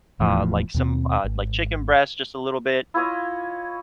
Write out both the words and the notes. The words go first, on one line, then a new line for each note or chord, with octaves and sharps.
uh, like, some, uh, like, chicken breast, just a little bit,
D#1 E2 A2 F3
D#2 B2 C4
G#1
E4 F4 C#5 D#5